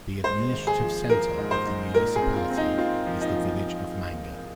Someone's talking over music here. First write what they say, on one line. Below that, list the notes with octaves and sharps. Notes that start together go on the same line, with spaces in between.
The administrative centre of the municipality is the village of Manger.
G#3 C5
G#1
G#4
F3
F3 A#4
G#2
C5
G#2
A#2 A#4
G#4
C4
F4
C4
D#4
C4 F4
F3
D#4
F3